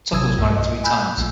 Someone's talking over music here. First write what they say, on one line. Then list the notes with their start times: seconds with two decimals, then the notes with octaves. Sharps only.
Tucker was married three times.
0.12 A1 C3 F#3 D#6 E6 G#6
0.38 B1 G2 G3
0.56 D#5
0.84 G#5 B5 E6 F#6 G6
1.17 A#1 F3 A3